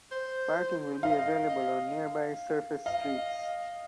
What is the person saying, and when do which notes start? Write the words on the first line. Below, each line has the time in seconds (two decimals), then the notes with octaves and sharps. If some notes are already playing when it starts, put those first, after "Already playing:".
Parking will be available on nearby surface streets.
0.11 C5
1.03 D#5 F5
1.49 D#5
2.86 D#5 F5